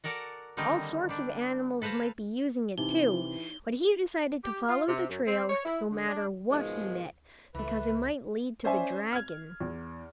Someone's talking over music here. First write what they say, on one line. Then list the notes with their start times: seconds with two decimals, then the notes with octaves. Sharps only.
All sorts of animals might be using it too, but he decided to follow the trail no matter what he met because it might lead to the dragon.
0.04 F#4 A4 A#4 D5 F#5
0.57 D3 D#3 G3 A#3 C4 D#4
1.09 G3 D4
1.82 A4 B4 C5 F5 A#5
2.78 C3 E3 D#4 G7
4.44 G4
4.69 F4
4.89 C3
5.10 F#2
5.27 C4
5.50 C#5
5.65 E4
5.91 D3
6.09 D4
6.51 G#2 B2 D#3 F3 G#3
7.55 C#2 E3 A3 B4
8.64 C#4 C5 D5 E5 G#5
9.13 F6 G#6
9.61 E2